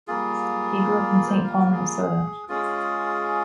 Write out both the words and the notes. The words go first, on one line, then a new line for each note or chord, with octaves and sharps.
He grew up in Saint Paul, Minnesota.
G3 A#3 F4 G#4
C5
F5
A#4
G#4
G#3 C#4 F4 G#4